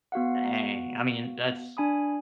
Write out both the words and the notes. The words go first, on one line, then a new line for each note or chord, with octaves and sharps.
Dang. I mean, that's
B3 F#4 F5 F#5
D4 G#5 B5 D#6